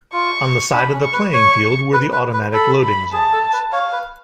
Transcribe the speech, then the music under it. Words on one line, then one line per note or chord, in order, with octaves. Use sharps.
On the side of the playing field were the automatic loading zones.
F4 C#6
D4 B5
C#4
C#6
B4
C#5 C#6
B4
B4
B4
A4 B5
B5
G#4 A5
A4
B4
C#5 F5
B4